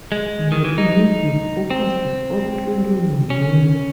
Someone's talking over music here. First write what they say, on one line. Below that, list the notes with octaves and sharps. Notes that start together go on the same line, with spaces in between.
My immediate focus is on clearing my name.
G#3
D#3
E3
D#4
C4
C#4